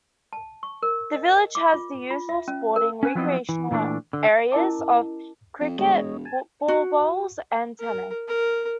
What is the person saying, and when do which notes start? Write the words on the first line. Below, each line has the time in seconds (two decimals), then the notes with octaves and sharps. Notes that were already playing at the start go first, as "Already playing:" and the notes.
The village has the usual sporting recreational areas of cricket, football, bowls and tennis.
0.33 A5
0.63 C#6
0.83 A#4
1.14 D#5
1.55 D6
1.74 F4
2.10 F4
2.29 E5
2.48 C#4
2.76 A#4
3.03 C#4 B4 G#5
3.15 F3 F#3 B3 C4 E4 D#5
3.49 E3
3.71 A#2 E3 A3 D4
4.13 D3
4.52 C#4 E4 A#4 D#5 A5 D6
5.60 F2
5.78 G1 G#3 C#5 D#5
5.94 E1
6.25 G#5 A5
6.68 F#4
7.80 A#4
8.28 A#4